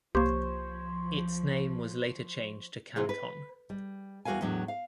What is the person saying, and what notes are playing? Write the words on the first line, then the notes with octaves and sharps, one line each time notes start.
Its name was later changed to Canton.
C2 F3 A#3 G4 C5 C#5
C3 E3 F4 G#4
B4
G3
E2 G3 F#4 A#4 F5 G#5
E2 A2 F#3 D4
F5